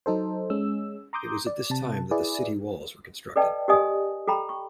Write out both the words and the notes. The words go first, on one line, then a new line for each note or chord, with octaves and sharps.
It was at this time that the city walls were constructed.
F#3 D#4 A4 C5
G#3 C#4 E6
A#5 C6 D6 D#6 G6
D5
C3 A5
E4 G#4 B4 D5
A4 B4 D5 D#5 G5 A5
G4 A#4 D5 D#5 G#5 D#6
A4 G5 A#5 B5
C#6